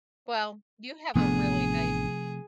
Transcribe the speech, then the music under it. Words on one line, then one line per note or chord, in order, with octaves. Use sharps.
Well, you have a really nice
A1 C3 F3 A3 B3 D4 G#4